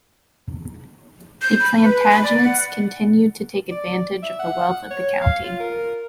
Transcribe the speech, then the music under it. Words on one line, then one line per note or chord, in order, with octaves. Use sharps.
The Plantagenets continued to take advantage of the wealth of the county.
G6
B5
B4
B5
D5
F#5
D5
E5
F#5
C#5
F5
F4
A#4